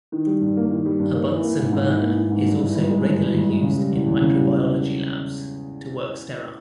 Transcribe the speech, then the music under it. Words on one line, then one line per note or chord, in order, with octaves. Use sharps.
A Bunsen burner is also regularly used in microbiology labs to work sterile.
D#3
G3
G2
A#3
D#3
G3
G2
A#3
E3
A#3
G#2
G#2
E3
A#3
G#2
G#2
G2
E3
G1
G#3
G2
E3
G1
G#3
C#3
G3
E2
E2
C#3
G3